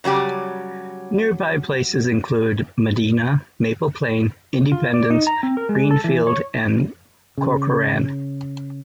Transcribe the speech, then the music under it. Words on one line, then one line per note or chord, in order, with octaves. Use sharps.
Nearby places include Medina, Maple Plain, Independence, Greenfield, and Corcoran.
C#3 F#3 G3 G4
F4
D5
D#4
A#5
C4
A#4
G#3
A4
E3
C#5
C#3